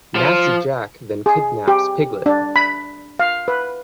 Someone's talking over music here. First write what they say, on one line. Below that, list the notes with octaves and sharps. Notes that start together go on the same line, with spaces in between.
Nasty Jack then kidnaps Piglet.
F3
G#4
G4
D4
B5
F5
B4